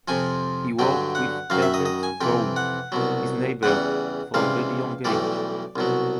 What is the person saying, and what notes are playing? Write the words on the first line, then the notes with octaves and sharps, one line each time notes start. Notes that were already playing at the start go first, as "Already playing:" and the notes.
He worked with Evert Taube, his neighbor from a very young age.
F2 C3 F3 G#5
G2 D3 F#3 G5
F#5
F#2 D#3 F#3 F5
E5
D#5
D#5
G#5
F2 C3 E3 G5
F#5
C2 B2 F#3
E2 C#3 E3 G3 F#5
C#2 C3 E3 G3 F5
B1 A2 E3 G3 D5
C2 B2 F#3